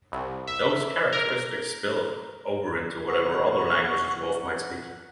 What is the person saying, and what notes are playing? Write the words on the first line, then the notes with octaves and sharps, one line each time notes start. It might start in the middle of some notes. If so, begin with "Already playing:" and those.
Those characteristics spill over into whatever other language a dwarf might speak.
C2
E5
A#4
F#5 C#6